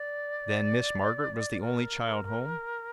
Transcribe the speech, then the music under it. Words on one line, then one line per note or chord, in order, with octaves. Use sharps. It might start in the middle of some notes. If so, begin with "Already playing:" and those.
"Then Miss Margaret was the only child home?"
Already playing: D5
A#4